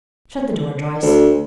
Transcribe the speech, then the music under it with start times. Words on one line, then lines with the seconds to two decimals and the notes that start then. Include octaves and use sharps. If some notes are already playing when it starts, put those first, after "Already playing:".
"Shut the door, Joyce."
1.02 D2